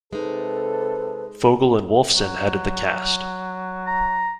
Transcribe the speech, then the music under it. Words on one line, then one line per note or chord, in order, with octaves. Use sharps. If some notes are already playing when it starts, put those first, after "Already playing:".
Fogel and Wolfson headed the cast.
C3 G#3 D#4 A4 B4
F#3
A#5